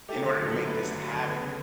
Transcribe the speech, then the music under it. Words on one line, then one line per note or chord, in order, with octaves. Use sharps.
in order to make this a habit.
A3 G4
D3
F#3
D3 A4
A3 B4
D3
F#3
D3
B3
C#3